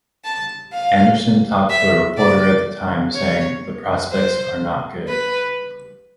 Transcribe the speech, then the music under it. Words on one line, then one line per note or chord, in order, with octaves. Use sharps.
Andersson talked to a reporter at the time saying; The prospects are not good.
A5
F5
E5
D5
C#5
C5
B4